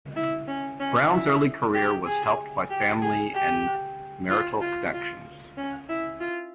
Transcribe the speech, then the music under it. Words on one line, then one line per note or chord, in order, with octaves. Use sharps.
Browne's early career was helped by family and marital connections.
E4
C#4
C#4
E4
G4
G#4
G4
G#4
G4
F4
F4
F4
C#4
E4
F4